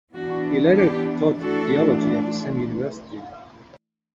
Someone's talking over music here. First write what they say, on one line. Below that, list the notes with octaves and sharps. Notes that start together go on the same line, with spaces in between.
He later taught theology at the same university.
E3 B3 D4 F#4
G4
E3 A3 D4 F#4 A4